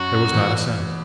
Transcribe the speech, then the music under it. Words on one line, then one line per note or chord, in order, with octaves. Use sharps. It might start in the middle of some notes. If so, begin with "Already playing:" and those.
There was not a sound.
Already playing: F#2 F#4
E2